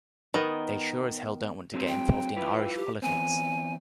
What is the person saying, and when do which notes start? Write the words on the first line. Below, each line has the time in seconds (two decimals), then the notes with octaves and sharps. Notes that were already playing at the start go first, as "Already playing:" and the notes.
They sure as hell don't want to get involved in Irish politics.
0.34 D#3 B3 D#5
1.74 F#3 C4 G#4
1.88 G5
2.36 E4 F4 B4
2.76 G4
3.02 E3 B3 C4 G#5